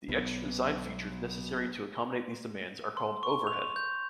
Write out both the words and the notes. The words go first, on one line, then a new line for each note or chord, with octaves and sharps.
The extra design features necessary to accommodate these demands are called overhead.
B1 B2 B3
C6
C#6
F7
G6